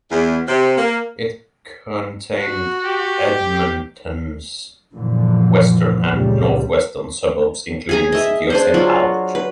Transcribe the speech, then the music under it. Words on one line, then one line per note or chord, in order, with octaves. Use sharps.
It contained Edmonton's western and northwestern suburbs, including the city of Saint Albert.
E2
C3
A#3
F#4
G4
F#2 A#2 D3 E3 F3
C#2 A#2 G3
G#4 G#5 A#5
D#5 E5
D4 G#4 C5
F#3 F4 F#4
B4